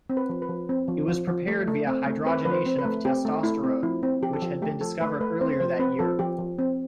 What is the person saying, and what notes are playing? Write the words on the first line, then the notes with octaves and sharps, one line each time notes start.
It was prepared via hydrogenation of testosterone, which had been discovered earlier that year.
C4
B4
F3
B4
F3
C4
F3
F3
F3
A3
A3
C4
A3
C4 B4
F3 B4
C5
C4
B4
A3
C4 G4
A3
A3 E4
C4
F3 E4
C4
F3 G4
A4
F3 G4
A3 G4
F3 A4
A3 B4
A3 B4
C4 C5
F3 C5
C4 B4
F3 A4
F3 G4
F3
C4